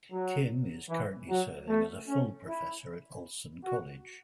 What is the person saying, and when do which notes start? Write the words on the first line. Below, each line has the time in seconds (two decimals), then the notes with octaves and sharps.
Kim is currently serving as a full professor at Ulsan College.
0.12 F#3
0.90 E3
1.29 F#3
1.69 A3
2.08 C#4
2.47 E4
3.64 F#4